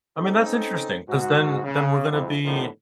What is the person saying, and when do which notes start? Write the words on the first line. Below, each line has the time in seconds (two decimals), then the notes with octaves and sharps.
I mean, that's interesting 'cause then then we're gonna be
0.17 C4 C#4 D#4 A4
1.08 G#2 F#4
1.64 C#3
2.12 F2 G#2 F3 E4
2.44 A2 D3 D#3 F3 B3